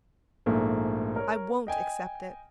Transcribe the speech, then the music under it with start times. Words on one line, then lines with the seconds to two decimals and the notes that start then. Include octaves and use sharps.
I won't accept it.
0.46 A#1 G#2 A3 A#3
1.16 A#4 C#5
1.67 D#5 G5 G#5